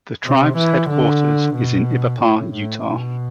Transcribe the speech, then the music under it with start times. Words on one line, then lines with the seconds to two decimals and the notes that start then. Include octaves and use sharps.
The tribe's headquarters is in Ibapah, Utah.
0.25 C3
0.58 E3
0.90 D3
1.56 B2
2.21 A2
2.54 A2
2.87 B2